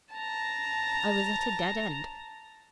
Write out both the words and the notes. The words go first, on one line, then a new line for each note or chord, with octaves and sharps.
I was at a dead end.
A5 A#5